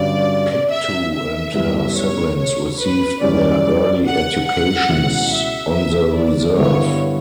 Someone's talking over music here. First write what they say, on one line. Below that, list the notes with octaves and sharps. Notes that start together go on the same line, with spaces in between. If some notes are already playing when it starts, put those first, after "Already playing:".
Pictou and her siblings received their early educations on the reserve.
Already playing: G2 D3 F#3 C#4 D5
E5
E5
F#2 E3 G3 B3 E4
C#5
C#5
B4
F#2 E3 G3 C#4 D5
F#5
F#5
C#2 B2 F#3 C#4 E4
E5
E5
D5
G2 D3 G3 B3 E4 C#5